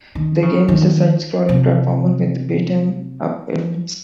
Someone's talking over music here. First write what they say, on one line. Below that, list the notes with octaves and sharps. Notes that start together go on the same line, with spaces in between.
The game is a side-scrolling platformer with beat 'em up elements.
D#3
C#3
D#3
C3